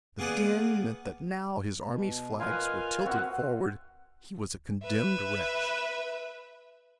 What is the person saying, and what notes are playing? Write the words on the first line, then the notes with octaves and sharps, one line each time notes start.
If the din meant that now his army's flags were tilted forward he was a condemned wretch.
A#3 B3 G#4 B4 D5 F#5
B2
F4 A#4 B4 D#5 F5 G#5
C4 E4 F#4
B4 E5